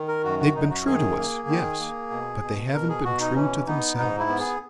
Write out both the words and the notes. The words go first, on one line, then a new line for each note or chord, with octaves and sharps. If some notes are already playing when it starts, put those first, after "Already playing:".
They've been true to us, yes, but they haven't been true to themselves.
Already playing: D#3
A#4
F#2 F#4
F#4
F#2 D#4
F#4
D#3 G#4
A#3
D#3
A#3
B2
B2
B2 A#4
G#4
B2 F#4
D#4
E3 C#4
B3 D#4
G#2 D#4
E4
B3
G#4